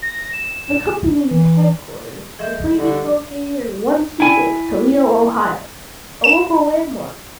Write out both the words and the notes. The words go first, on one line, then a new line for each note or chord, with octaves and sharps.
The company's headquarters were previously located in One SeaGate, Toledo, Ohio, a local landmark.
A#6
E7
E3
F3 G#3 A3 E5 G6
D3 G3 F#4
E4 G#5
E7